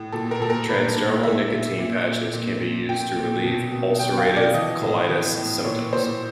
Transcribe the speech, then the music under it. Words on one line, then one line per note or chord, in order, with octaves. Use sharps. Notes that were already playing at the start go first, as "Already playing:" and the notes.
Transdermal nicotine patches can be used to relieve ulcerative colitis symptoms.
Already playing: A2
A#2 A4
A#4
A#2 A4
A#4
A#2 B4
A#2
A#2 E5
A#2
A#2
A#2
A#2
A#2
A#2 G5
A#2
B2
B2
B2 G5
F5
B2
D5
E3 D#5
A2
E3
A2
A#2 C#5
A#2 C5